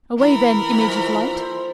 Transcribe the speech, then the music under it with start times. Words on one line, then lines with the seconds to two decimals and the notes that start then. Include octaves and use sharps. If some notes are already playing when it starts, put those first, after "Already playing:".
Away, then, image of light!
0.17 E3 A#4 B5
0.70 F3 G3 A#3
1.34 A4 C5